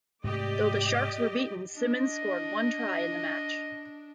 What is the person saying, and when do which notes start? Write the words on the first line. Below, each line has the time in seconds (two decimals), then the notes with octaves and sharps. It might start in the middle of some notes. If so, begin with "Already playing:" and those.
Though the Sharks were beaten, Simmons scored one try in the match.
0.24 G#2 C3 A3 G4 D5 D#5
1.75 D4 D#5